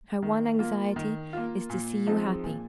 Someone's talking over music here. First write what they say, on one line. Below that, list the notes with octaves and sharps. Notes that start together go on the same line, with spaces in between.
Her one anxiety is to see you happy.
D#3
A#3 F4
D#3
A#3 F4
A#2
F3 G#3 C4 D#4
A#2